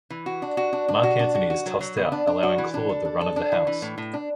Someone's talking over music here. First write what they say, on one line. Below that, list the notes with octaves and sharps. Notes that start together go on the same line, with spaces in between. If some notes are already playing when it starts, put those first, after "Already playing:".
Marc Antony is tossed out, allowing Claude the run of the house.
E3
F#4
D4
F#4
D4
D4
F#4
D4
F#4
F#4
F#3
F#3
B3
D4
D4
F#4
E3
D4
A4
D4
A4
D4
E3
E3
A2
A2
D4